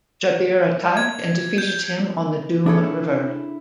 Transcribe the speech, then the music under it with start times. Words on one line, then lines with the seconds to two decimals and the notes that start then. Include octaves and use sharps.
Djabir attacked and defeated him on the Dume River.
0.97 G#6
1.58 G6
2.66 D4 E4 G#4 A4 C#5